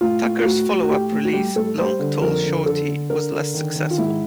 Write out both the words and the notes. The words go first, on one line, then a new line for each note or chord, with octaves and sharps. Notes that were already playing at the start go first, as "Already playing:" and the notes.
Tucker's follow-up release, "Long Tall Shorty", was less successful.
A2 F4
A2
F4
A2 F#4
A2
F#4
A2 G4
A2
F#4
G3 G4
A2 A4
G3 C5
D3
F2 A#4
D3
D3 A4
D3
D3 A#4
D3
D#3
D#3
F4
G#2 E4